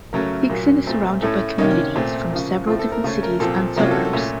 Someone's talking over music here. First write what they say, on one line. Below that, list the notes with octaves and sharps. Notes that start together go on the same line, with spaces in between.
Hixson is surrounded by communities from several different cities and suburbs.
C#3 F#3 A3 C#4 A#4
A#2 F#3 A#3
A#2 A3 C4
A2 A3 C#4 A4
C3 D#3 A#3 C#4 D#4
C#4
A#2 A3 C4
C#3 F3 A#3
A2 A3 C4 F4
A4
A#4
C#3 A3 C#4 C5
A#4
A#2 F3 C4 A4
C3 F#3 A#3 C#4 A#4
F4
A4
F#4
A4
A#2 A3 C#4